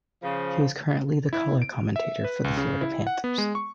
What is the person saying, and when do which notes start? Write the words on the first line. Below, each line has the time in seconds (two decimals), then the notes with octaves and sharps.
He is currently the color commentator for the Florida Panthers.
0.23 C#3 F3
1.33 E4
1.62 D7
1.96 E5
2.24 B4
2.44 C#2
2.57 C#3
2.82 E4
3.07 F#5
3.24 B3
3.38 G#3
3.55 C#6